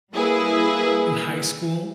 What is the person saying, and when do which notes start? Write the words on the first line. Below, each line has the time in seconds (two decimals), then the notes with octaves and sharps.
in high school,
0.13 G3 A#3 E4 G#4 B4